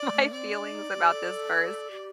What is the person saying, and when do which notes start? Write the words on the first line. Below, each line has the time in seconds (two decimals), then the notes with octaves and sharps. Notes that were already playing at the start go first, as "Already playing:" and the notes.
my feelings about this first,"
Already playing: D5
0.13 A3
0.32 C4 D5
0.53 D4
0.72 D#4
0.91 G4
1.13 A4
1.91 G4